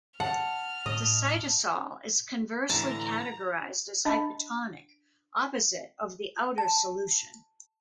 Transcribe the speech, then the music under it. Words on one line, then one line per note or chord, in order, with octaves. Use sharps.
The cytosol is conversely categorized as hypotonic, opposite of the outer solution.
F#5 A5 F6
A2 D#5
A2 D3 E3 A5 A#5
D4 D#5 A5 B5
A5